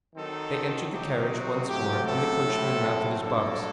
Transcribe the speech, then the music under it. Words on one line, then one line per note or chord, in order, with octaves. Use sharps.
They entered the carriage once more, and the coachman mounted his box.
D#3 F#3 C4 D#4 A4
C3 F#3 C4 D#4 G4
F#4
A2 F#3 C4 G4
A4
A2 F#3 A3 C4
G2 F#3 A#3 D4 A4